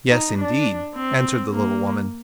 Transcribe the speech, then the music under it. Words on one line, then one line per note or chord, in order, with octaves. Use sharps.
"Yes, indeed," answered the little woman.
D#4
D4
C4
A#3